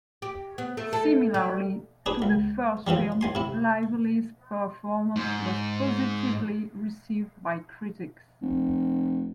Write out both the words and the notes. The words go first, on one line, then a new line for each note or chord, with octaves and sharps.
Similarly to the first film, Lively's performance was positively received by critics.
G4
B3
A3
A4
G3
D4 G#4 B4
C#2
C#3 E3 F3 G3
D#2 G#5 C6
C3 E4
G#2
F1